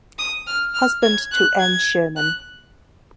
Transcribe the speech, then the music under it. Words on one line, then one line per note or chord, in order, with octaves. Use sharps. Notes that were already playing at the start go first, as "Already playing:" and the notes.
Husband to Ann Sherman.
D#6
F6
F6
G#6
F#6
G#6
F#6